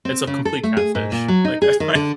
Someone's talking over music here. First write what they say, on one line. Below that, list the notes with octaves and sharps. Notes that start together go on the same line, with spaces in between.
it's a complete catfish. Like, I I
C4
C#3
A4
A3
G#4
G#2
A#2
F#3
D#4
G#4
D#3
D3